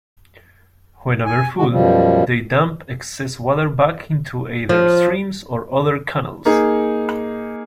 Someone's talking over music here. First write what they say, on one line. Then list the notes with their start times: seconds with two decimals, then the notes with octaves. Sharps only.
When over full, they dump excess water back into either streams or other canals.
1.26 G#5
1.57 A2 C#3 G#3 F#4
1.69 F#2 B2 F3 G3
4.69 F3
6.45 A#3 D#4 G#4